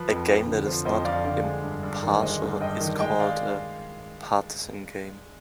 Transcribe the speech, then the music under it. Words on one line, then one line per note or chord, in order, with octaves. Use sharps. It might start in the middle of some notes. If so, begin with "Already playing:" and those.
A game that is not impartial is called a partisan game.
Already playing: F3 B4
F2
F2
D3
F3 C5
F2 C5 D#5
F2 D5 F5
D3 D5 F5
G#3
G2
G2
D#3
G#3 C5 D#5
G2
G2 D#5 G5
D#3
G#3 D#5 G5
D5 F5